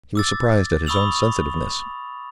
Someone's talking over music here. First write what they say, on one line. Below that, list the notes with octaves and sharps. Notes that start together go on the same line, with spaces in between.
He was surprised at his own sensitiveness.
D6 E6 A6
B5 C#6 D#6 E6 F7 F#7